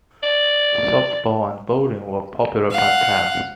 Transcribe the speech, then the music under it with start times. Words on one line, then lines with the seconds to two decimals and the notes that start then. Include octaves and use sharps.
Softball and bowling were popular pastimes.
0.23 D5
2.71 F5 F#5